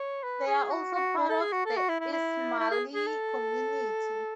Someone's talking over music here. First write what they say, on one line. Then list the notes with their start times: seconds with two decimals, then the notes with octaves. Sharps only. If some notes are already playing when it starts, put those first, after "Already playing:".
They are also part of the Ismaili community.
Already playing: C#5
0.23 B4
0.47 G#4
0.71 F#4
0.95 F#4
1.18 D4
1.29 A4
1.41 G#4
1.53 F#4
1.65 A4
1.77 F#4
1.89 E4
2.00 E4
2.13 E4
2.59 E4
2.71 G#4
2.94 G#4
3.07 A4